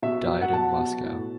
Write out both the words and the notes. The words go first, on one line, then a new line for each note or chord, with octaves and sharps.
Died in Moscow.
B2 E5
F#3
F#5
B2 A5
B2
A2